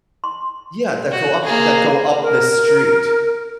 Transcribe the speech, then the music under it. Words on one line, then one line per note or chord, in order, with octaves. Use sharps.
Yeah, that go up that go up the street-
C6
F#4
A#3 G#4
A#4